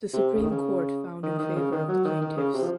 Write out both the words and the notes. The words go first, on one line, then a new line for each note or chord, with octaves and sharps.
The supreme court found in favor of the plaintiffs.
C3
C#3
D#3
C#3
D#3
D#3
C#3
D#3
F#3
D#3
D#3
C#3
C3
F3